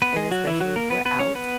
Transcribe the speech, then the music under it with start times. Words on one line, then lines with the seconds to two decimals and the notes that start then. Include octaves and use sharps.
And especially if we're out
0.02 B3 B4
0.16 G#3 G#4
0.31 F#3 F#4
0.47 E3 E4
0.60 F#3 F#4
0.76 A#3 A#4
0.90 B3 B4
1.05 B3 B4
1.19 C#4 C#5
1.35 B3 B4